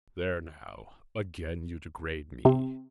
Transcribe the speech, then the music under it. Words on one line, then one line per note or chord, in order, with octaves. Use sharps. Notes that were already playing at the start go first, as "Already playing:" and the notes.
"There now, again you degrade me."
C3